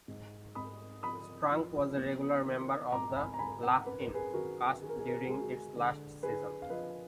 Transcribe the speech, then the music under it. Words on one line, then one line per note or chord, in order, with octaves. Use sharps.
Strunk was a regular member of the "Laugh-In" cast during its last season.
G#2
G#2 B5 D#6
F3 B5 D#6
F3
B3
D#3
G#2 A#5 D6
G#5 B5
A#5
G#2 G#5 B5
F#5 A#5
F#2 B4
A#4
G#4 B4
D#3 F#4 A#4
D#3 G#4
A#4
G#4
A#4
G#4
G#3 G#4
F#4
G#4
D3
D3 G#4 B4
F5
F3 B4 D#5